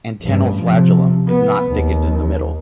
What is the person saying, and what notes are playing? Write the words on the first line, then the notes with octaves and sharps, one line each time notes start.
Antennal flagellum is not thickened in the middle.
A1 G2
C3 F3
B3
D#2